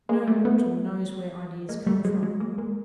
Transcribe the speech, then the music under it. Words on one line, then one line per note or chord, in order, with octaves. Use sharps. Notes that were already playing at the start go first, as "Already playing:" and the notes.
No mortal knows where ideas come from.
G#3 A#3
G3 A3
A3 B3
G#3 A#3
G3 A3
F#3 G#3
F#3 G#3
G#3 A#3
G#3 A#3